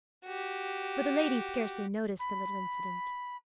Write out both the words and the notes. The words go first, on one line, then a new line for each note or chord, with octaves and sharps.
But the lady scarcely noticed the little incident.
F#4 G4
B5